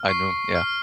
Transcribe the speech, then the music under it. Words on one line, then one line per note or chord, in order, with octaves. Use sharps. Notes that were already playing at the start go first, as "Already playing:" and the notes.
I do, yeah.
Already playing: F6
C#6 C7
F6